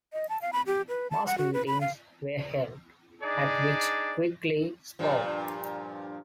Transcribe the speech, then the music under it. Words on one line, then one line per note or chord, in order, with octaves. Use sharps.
Mass meetings were held, at which Quigley spoke.
D#5
A5
F5
B5
G4
B4
A5
F#5
F#4
B4
B5
F5
D4 D#4 G#4 D5
G2 A#2 F3